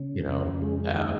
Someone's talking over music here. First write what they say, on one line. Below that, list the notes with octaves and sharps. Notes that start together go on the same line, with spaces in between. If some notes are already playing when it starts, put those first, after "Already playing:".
you know, um
Already playing: C#3
F2
G#3
D#4